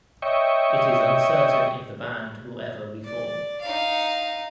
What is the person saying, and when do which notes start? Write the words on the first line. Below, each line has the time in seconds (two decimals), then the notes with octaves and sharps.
It is uncertain if the band will ever reform.
0.22 C#5 D#5 E5 G5 C#6
3.04 D5
3.61 D#4 F5